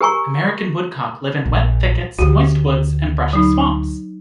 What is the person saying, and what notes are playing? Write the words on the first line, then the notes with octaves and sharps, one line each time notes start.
American woodcock live in wet thickets, moist woods, and brushy swamps.
G4 A#4 G#5 A#5 C#6
A#1
D2 F#4 G4
F#3 D#4